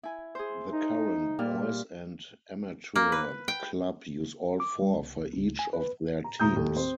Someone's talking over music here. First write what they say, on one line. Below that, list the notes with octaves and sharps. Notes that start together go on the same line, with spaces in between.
The current boys and amateur club use all four for each of their teams.
E4 G#5
G#4 C5
D#4
A#2 G3 F6
A#3
B4
G5
D6
G3
C2
C#2
G#5
B4
A#5
D2 A2 E4 A#5 D#6 G6
D#2 A3
C4 C5